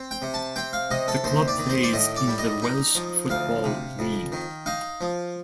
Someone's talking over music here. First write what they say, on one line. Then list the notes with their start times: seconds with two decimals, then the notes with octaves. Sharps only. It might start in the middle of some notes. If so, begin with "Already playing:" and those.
The club plays in the Welsh Football League.
Already playing: C4
0.11 G5
0.22 C3
0.34 A5
0.56 C4 G5
0.73 F5
0.91 C3 D#5
1.08 A4
1.24 D#2 C5
1.48 D5
1.59 D#3
1.70 C5
1.83 D5
1.93 A2 D#5
2.16 D5
2.28 G3
2.38 D#5
2.62 D#4
2.95 F3
3.30 D2 F5
3.64 C3
3.99 F2
4.32 D#3
4.66 D#4 F5
5.01 F3